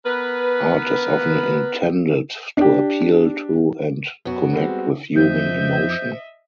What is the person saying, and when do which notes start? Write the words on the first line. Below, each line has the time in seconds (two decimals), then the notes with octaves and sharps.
Art is often intended to appeal to and connect with human emotion.
0.05 B3 A#4 B4
2.57 D4 G4
4.25 F#2 B3 F#4
4.53 G3 G#3 C4
5.16 F2 F3 C5 D#5 E5 G6